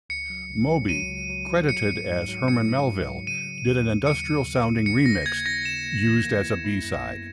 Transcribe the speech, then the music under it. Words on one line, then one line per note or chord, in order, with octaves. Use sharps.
Moby, credited as "Herman Melville", did an industrial-sounding remix used as a B-side.
C#2 C#7
F#3
C#2
F#3
F#3 D#7
C#2
F#3
F#3
F#3 C#7
G#2
G#2
F#3
G#2 C#7
G#2
F#3
F#3
C#3 D#7
F#3
D#2
D#2
D#2 C#7
C#3
D#2
C#3
A#3 C#7
C#3 A#6
A#3 G#6
D#4 A#6
C#3 E7
A#3
E3
A#3
E4
E4
F#2
B3